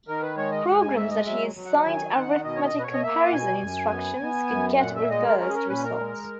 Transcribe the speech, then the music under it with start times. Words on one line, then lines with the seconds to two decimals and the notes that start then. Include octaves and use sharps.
Programs that use signed arithmetic comparison instructions could get reversed results.
0.08 D#3 A#4
0.22 B4
0.37 G#3 C#5
0.52 D#5
0.66 G#2 F#5
0.81 G#5
0.96 G#3 E5
1.11 D#5
1.26 F#3 E5
1.55 F#3
1.65 F#5
1.85 D#3 G#5
2.15 D#3 F#5
2.44 B2 D#5
2.56 C#5
2.64 D#5
2.73 B2
2.79 B4
2.83 C#5
2.94 D#5
3.03 A#3 E5
3.26 F#5
3.32 B2 G#5
3.62 F#2
3.91 B3
4.21 B3
4.50 F#2
4.80 A#2 F#5
4.95 E5
5.10 G#3 D#5
5.25 A#4
5.39 C#4 A#4
5.49 G#4
5.54 A#4
5.69 A#2 B4
5.84 A#4
5.99 G#3